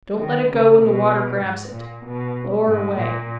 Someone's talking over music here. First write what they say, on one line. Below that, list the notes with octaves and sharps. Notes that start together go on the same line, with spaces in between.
Don't let it go when the water grabs it. Lower away.
D#3
C#3
B2
G#2
A#2
B2
G#2
A#2